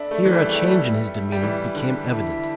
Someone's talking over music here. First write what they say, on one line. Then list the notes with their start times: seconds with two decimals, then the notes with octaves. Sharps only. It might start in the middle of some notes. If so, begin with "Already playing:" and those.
Here a change in his demeanor became evident.
Already playing: D4 A4 E5 B5
0.11 A3
0.25 E3
0.33 G3
0.50 A3
0.55 G3
1.32 G3
1.43 E3
1.75 D3
2.08 E4 A4 E5 A5